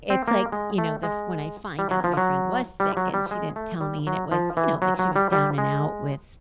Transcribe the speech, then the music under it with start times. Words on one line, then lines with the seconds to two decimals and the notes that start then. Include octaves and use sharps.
it's like, you know, the f when I find out my friend was sick and she didn't tell me and it was, you know, like she was down and out with
0.10 C4
0.28 A#3
0.52 G#3
0.78 A3
1.03 G#3
1.79 G3
1.91 F#3
2.04 F3
2.17 F#3
2.80 G3
2.97 F#3
3.14 G3
3.31 G#3
3.56 A3
3.81 G3
4.07 F#3
4.32 F3
4.57 E3
4.82 F#3
4.99 F#3
5.16 G3
5.32 G3
5.58 G#3